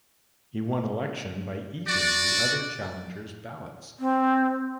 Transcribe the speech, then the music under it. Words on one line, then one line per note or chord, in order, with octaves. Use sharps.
He won election by eating the other challengers' ballots.
F#4 D5
C4